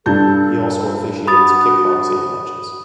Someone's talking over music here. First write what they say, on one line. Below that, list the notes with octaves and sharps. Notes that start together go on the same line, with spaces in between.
He also officiates kickboxing matches.
G2 A4 A5 G6
F#4 B5 D#6 A6